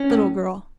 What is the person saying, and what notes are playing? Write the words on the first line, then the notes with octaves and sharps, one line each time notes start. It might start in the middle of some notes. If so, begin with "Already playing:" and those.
Little girl.
Already playing: C#4
A2